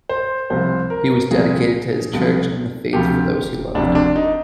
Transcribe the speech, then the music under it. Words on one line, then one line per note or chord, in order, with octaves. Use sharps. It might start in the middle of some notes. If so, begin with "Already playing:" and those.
He was dedicated to his Church and the faith for those he loved.
C5
C2 C3 F3 C5
A#4
C2 C3 F3 G#4
C2 C3 F3
D2 C3 F3 G4
D2 C3 F3 D4
D4
D#4